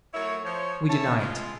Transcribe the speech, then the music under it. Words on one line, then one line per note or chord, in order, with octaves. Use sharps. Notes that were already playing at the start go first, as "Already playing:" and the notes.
We deny it.
F#3 A3 E4 A#4 C#5
F3 C#5
C#4 E4 C#5 A5
G#3 F4